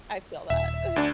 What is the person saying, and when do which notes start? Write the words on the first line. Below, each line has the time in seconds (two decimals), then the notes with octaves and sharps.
I feel that.
0.50 D#1 E5
0.96 D2 D4